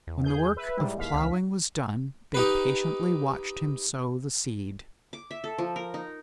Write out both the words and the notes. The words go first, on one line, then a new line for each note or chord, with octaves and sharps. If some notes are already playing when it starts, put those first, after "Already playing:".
When the work of plowing was done, they patiently watched him sow the seed.
E2
G#4 G6
B4 E5
G#2 G3 E4
D#2 F5 B6
C#2
D#4 G4 B4
D6
E5
A4
F3
A#4
D#4